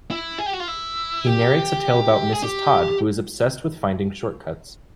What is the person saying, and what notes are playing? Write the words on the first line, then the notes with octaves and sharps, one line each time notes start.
He narrates a tale about Mrs. Todd, who is obsessed with finding shortcuts.
E4
G#4
G4
F#4
F4
E4
G4
G#4
G4